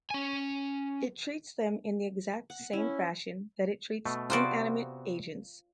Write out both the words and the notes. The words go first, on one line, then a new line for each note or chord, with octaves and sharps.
It treats them in the exact same fashion that it treats inanimate agents.
C#4 G#5
F#5
C#4 E4
B2 A3
C3 B3 F4 F#4 C5 D5